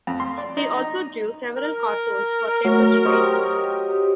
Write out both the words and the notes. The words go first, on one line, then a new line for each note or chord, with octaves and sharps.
He also drew several cartoons for tapestries.
F2
C6
D5
D#4
D#4
A#4
F#3 A3
G4 C5 C#5 D#5